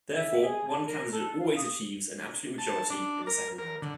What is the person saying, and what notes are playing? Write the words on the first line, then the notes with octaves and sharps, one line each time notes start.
Therefore, one candidate always achieves an absolute majority in the second round.
E5
G#4
A5
A#4
A4
F5
D#6
A5
D4
A#4
A#4
D3